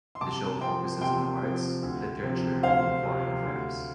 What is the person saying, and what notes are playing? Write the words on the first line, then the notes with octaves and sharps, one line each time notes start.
The show focuses on the arts, literature, and foreign affairs.
C6
C3 A5 D6
F3 C4 G5 C6
C3 G5 C6
F3 C4
D2
C3 F3 C4
D2 C5 F5
C3 F3 C4
D2